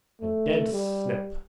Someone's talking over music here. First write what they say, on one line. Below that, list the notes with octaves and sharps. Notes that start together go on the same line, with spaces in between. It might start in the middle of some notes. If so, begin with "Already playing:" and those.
A dead snip.
A3
G3